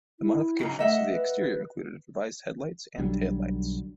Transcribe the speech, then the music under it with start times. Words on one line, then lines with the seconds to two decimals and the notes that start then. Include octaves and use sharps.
The modifications to the exterior included revised headlights and taillights.
0.20 E4
0.59 G#2 C#3 F#3
0.79 A3 D#5 E5 F#5
1.11 B4
2.98 B1 D3 F#3 G3